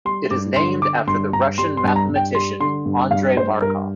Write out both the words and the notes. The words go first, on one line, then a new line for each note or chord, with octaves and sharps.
It is named after the Russian mathematician Andrey Markov.
G3 C6
G2 D6
D3 C6
D3 D6
G2 C6
G2 A#5
G3 C6
C6
G2
A#5
G2
G5
G3 C6
D3 C6
G2
G2 F5
G2 C5
G2 A#4